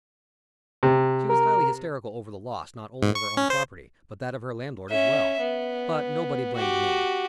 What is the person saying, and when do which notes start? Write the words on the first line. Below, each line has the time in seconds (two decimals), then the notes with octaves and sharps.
She was highly hysterical over the loss not only of her own property but that of her landlord as well, but nobody blamed me.
0.83 C3
1.29 A#4
3.03 G#2
3.15 C#6
3.37 C#4
3.50 C5
4.89 C#4 E5
5.40 B3
6.56 F#4 G4